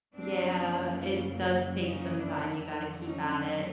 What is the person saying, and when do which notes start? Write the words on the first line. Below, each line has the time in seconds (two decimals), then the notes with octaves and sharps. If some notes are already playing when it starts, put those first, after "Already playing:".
Yeah, it does take some time. You gotta keep at it.
0.13 F#2 C#3 F#3 A#3 C4 D4
1.88 C#4 D#4
2.18 D4 E4
2.47 F2 D3 F#3
3.05 C#4 D#4